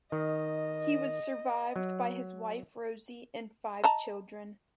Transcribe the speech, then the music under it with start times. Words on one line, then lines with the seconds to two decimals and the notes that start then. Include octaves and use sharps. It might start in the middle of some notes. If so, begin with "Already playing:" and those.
He was survived by his wife Rosie and five children.
0.12 D#3 D#5
1.76 F#3
3.84 D#5 A5 A#5